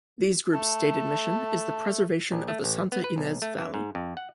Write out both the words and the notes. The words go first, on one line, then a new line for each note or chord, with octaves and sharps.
These groups' stated mission is the preservation of the Santa Ynez Valley.
A3 A5
A#1
A3
A1
B3
B4
B1
A3
E3
G#2
F2
F#5